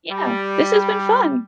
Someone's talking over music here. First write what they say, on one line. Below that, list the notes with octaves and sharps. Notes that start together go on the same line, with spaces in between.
Yeah, this has been fun.
G3